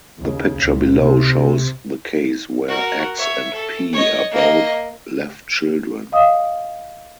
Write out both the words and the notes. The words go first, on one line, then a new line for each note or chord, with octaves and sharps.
The picture below shows the case where "x" and "p" are both left children.
D#2 C#3
C#2 A#2
C3
F#4 A#4
C#5 E5
A4
C#5 D#5
A#3 D#5
D#5 F5 D#6